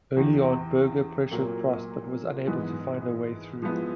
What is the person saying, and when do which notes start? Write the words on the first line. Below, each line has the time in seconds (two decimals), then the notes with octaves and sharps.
Early on, Berger pressured Prost but was unable find a way through.
0.16 E2 C3 E3
1.31 A#2 F#3 A#3
2.47 G#2 E3 G#3 B3
3.62 F3 G#3 B3 E4